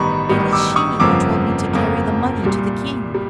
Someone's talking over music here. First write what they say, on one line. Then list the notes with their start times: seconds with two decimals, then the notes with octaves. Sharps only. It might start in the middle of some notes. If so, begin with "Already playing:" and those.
"It is she who told me to carry the money to the king."
Already playing: A1 G2 D#3 G3 B3 A#5 B5 C#6
0.29 A1 G2 D#3 G3 B3
0.52 D6 E6
0.76 C#6 D#6
1.00 G1 F2 C#3 F3 A#3 D6 E6
1.71 G1 F2 C#3 F3 A#3
2.43 C2 A#2 G3
3.14 G3